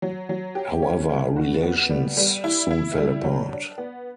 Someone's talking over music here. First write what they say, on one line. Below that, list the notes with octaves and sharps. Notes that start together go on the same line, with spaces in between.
However relations soon fell apart.
F#3
F#3
G4
C#4
G3
F#4
B3
G3
G3
E4
E4
G3
F#3
D4
B3